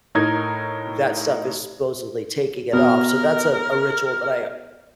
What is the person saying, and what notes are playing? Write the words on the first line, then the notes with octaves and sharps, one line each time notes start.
that stuff is supposedly taking it off, so that's a a ritual that I
A2 D#4 A#4 G#6
B2 A#4 F6